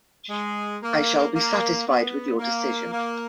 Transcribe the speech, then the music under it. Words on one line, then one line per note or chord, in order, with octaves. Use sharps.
I shall be satisfied with your decision.
G#3
A#3
A#3
B3
A#3
A#3